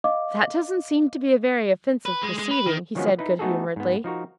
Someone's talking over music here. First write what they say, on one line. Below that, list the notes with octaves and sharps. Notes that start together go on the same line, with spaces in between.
"That doesn't seem to be a very offensive proceeding," he said good-humouredly.
D#5 F5 D6
B4
G#3
G#3
B4
D#3
D#3 F3 F#3 G#3 B3 C#4
D#4 E4 B4
A3 B3 D#4 F#4 G#4 A4
G#2 B3
F3 D#4 F#4 A#4